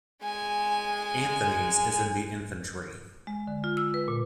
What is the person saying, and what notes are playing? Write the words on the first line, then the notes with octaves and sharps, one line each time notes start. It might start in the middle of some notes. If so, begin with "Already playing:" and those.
Anthony's in the Infantry.
G#3 G#5
G#3
D3
F4
E6
B4
A#2